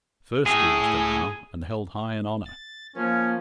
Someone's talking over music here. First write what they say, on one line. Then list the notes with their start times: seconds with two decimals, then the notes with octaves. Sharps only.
First Deemster now, and held high in honour!
0.46 A2 G#4
2.45 A6
2.96 F3 A#3 C#4